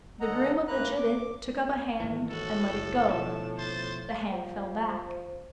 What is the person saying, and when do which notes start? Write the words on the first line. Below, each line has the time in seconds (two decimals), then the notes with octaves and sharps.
The groom of the gibbet took up a hand and let it go; the hand fell back.
0.21 D#2 D3 A4 D#5 F#5 A#5
0.68 D2 A#3 B4 A#5 F#6
0.97 D6
2.00 G#2 D#3 E3
2.30 A2 F#4 A4
2.73 F#1
3.08 B2 D3 F3 A5
3.58 C5 A6
4.32 F3